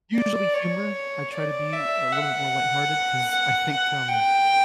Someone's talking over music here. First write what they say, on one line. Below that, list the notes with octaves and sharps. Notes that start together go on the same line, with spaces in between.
Usually, humor. I try to be a little bit more lighthearted 'cause I think, um,
D5
C#5
D5
E5
F#5
F#5
F#5
G5